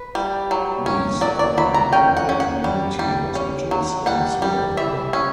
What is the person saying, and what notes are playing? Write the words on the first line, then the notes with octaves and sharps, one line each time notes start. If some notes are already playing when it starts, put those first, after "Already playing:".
These are the private community hospitals in Singapore.
Already playing: B4
G3
F#3
C#4
F#3 D5
D5
F#3 B5
A#5
C#4 G5
F#5
C#4
F#5
G3
G3
C#4
F#3
G3 F#5
G3
E3 E5
C#4